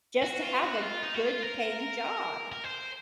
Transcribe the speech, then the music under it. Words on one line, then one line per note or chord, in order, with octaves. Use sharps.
just to have a good paying job.
F#4
F4
F#4
F4
D#4
F#4
F4
A#4
A#4
C5